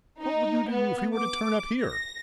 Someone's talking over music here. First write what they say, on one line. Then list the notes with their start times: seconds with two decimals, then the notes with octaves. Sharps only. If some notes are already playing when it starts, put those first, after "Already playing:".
What would you do if he were to turn up here?
0.22 D#4
0.71 B3
1.15 D6
1.81 A#6